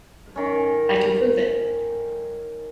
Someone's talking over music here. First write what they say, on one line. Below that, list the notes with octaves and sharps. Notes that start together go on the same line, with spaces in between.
I can prove it.
D#3 C#4